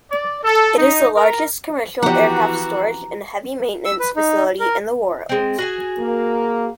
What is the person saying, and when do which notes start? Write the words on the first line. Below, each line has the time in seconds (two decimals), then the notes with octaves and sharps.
It is the largest commercial aircraft storage and heavy maintenance facility in the world.
0.11 D5
0.42 A4
0.77 D#4
1.15 A#4
2.03 E3 F3 B3 F#4 G4 F#5 A#5
3.85 E6
3.99 B4
4.16 D#4
4.60 A#4
5.29 G#3 C4
5.58 F#4 G#4 G#5
5.98 A#3